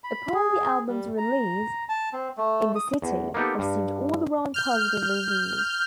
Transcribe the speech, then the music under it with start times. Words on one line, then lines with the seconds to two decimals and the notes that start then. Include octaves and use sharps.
Upon the album's release, "In the City" received all-round positive reviews.
0.04 B5
0.34 G#4
0.88 G3
1.18 A#5
1.89 A5
2.13 C4
2.37 A3
2.75 D#6
3.02 E2
3.34 A#3 B3 D#4 G4 A4
3.59 G2
4.54 F6 G6